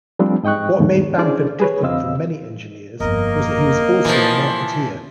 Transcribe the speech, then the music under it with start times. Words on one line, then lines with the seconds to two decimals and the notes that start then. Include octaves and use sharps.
What made Bamford different from many engineers was that he was also a marketeer.
0.19 F3 G3 A3 C4 D4
0.43 G#2 D#5 G5 C#6 F#6
0.79 E2 G#2 D3 D#3
1.18 C#4 D4 E4 G#4 C5 D5
1.60 G#4 B4 C#5
1.83 F2 D3 C4 D#5 F5 E6
3.00 G1 F2 A#3 A#4 D#5
4.05 A#2 E3 F3